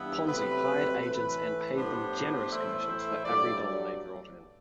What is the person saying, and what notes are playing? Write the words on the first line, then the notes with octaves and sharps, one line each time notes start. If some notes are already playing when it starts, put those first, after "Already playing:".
Ponzi hired agents and paid them generous commissions for every dollar they brought in.
Already playing: G2 E3 B3 E4
C3 F#3 A3 B4
A2 E3 A3 B4
A2 G3 B3 D4 C5
A2 E3 A3 E4 C5
C5
G2 F#3 A3 D5